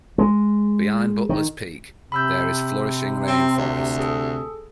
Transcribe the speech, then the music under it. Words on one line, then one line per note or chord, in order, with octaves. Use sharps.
Behind Butler's peak, there is flourishing rain forest.
G#3
D#3
C3 B5 E6 G6
C4
D2
G#4 A4